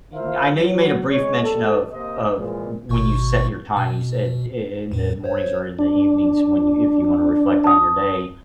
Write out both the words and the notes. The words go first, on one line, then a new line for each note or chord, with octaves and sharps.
Yo I know you made a brief mention of of w when you set your time. You said i in the mornings or in the evenings, when you if you wanna reflect on your day.
E4 F4 A#4 C5 E5 F5
F#3
G#3 C#5
F#1 A2 G3 A4
C3 A#3 C5 D#5
A#2 E3 F3 G#3
G#1 B2 C#6
B2
E2 A2
C5 C#5
D4
A5 D#6